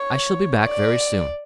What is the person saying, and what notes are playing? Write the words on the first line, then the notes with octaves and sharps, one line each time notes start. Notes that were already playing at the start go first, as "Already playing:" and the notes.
I shall be back very soon.'
Already playing: C#5
D5